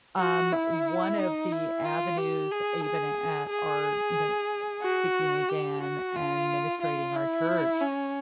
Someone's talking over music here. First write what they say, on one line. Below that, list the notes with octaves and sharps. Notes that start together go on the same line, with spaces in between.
Um, one of the avenues even at our, you know, uh speaking again and administrating our church,
F#4
E4
D#4
E4
F4
G4
G#4
G#4
G#4
F#4
G4
F#4
F4
F4
E4
C#4